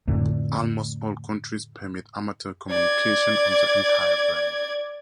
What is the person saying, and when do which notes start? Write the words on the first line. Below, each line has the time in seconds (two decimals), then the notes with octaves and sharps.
Almost all countries permit amateur communications on the entire band.
0.07 F2 A2 D3 A3
2.70 D5 G#6